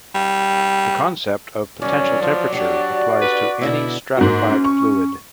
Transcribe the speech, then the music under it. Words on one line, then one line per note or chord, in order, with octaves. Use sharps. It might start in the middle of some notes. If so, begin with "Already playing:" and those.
The concept of potential temperature applies to any stratified fluid.
G3
G2 D#3 F#3 C#4 D5
F3
D4 F#4 G4
B4
B2 D3 B3 E4
G#2 A#3 F#4
C#4
C#6